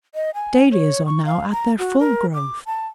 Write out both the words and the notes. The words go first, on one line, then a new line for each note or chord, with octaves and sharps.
Dahlias are now at their full growth.
D#5
G#5
C#5
C#6
F5
A#5
F#4
A#4
D6
A5